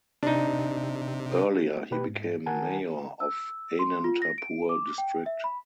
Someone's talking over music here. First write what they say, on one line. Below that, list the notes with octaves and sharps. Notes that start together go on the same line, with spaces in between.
Earlier he became Mayor of Anantapur district.
C3 D4 D#4
B2 B3 G4 B4
G#2
D#3 A#4 F#5 G#5 A5
E6
C6
F4
A#6
D7
D6
G5
E5
B5